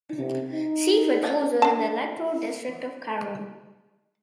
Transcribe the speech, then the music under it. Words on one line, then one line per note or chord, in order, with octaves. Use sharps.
Seaford falls within the Electoral district of Carrum.
C3
D#4
D4 A5